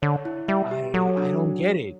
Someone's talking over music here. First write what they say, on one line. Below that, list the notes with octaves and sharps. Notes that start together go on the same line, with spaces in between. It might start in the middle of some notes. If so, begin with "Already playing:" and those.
I I don't get it.
D3 C#5
E4
G3 E5
G4
F#3 A4
D4